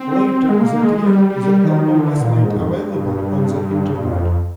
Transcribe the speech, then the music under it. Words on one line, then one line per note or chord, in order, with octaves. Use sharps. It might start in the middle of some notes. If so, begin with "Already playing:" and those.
Later that year, the album was made available on the Internet.
Already playing: C4
G#3
A#3
G#3
G3
G3
D#3
D3
A#2
G#2
F2
G2
F2